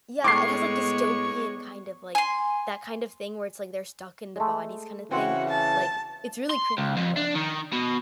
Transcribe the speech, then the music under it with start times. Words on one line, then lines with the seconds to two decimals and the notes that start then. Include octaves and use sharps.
yeah, it has, like, dystopian kind of, like that kind of thing where it's, like, they're stuck in the bodies kinda thing, like, it's really creepy, but
0.24 A2 G#3 B3 C#5 D6 C7
2.15 G#5 C6
4.36 G#3 A3
5.11 C#3 E3 C4 F#4
5.49 A5
6.50 C6
6.78 C#2
6.97 F2
7.17 D4
7.35 D#3
7.73 B2